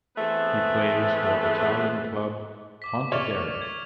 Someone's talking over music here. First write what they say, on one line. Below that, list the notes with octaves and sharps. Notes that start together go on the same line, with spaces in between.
He plays for Italian club Pontedera.
E3 A3 B3 C4 G#4 B4
D6 B6
C#5 D5 C#6 F6 F7
G#6